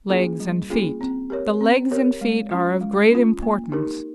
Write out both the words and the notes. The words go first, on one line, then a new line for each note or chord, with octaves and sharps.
LEGS AND FEET--The legs and feet are of great importance.
A#3 C#4 F4 G#4
G3
A#3 C#4 F4 G#4
C4
G4 A#4 C#5
C4
G4 A#4 C#5
G#3
C#4 F4
G#3
C#4 F4
A#3
D#4 G4 A#4